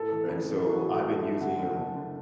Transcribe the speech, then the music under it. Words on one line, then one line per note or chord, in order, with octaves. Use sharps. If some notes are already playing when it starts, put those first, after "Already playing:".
And so, I’ve been using ’em
Already playing: A2 A4
E3
A1
A2
E3 F#4
A2 A4
A3 E5
A3
D3 F#5
F#1
F#1 A5
D3